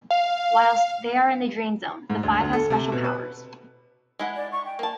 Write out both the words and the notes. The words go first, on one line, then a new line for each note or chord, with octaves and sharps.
Whilst they are in the Dream Zone, the five have special powers.
F5
G#2
D2
D2
A4
C3
B2
B4
G#3 E4 F#5
D5
C#6
G5
A#3 A5